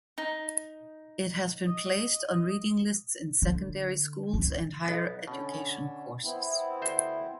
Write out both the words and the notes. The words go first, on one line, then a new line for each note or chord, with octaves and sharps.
It has been placed on reading lists in secondary schools and higher education courses.
D#4
D#5
D3
C#2
B1 B3
B2 D3 C#4
B3 C4 E4
D2 C5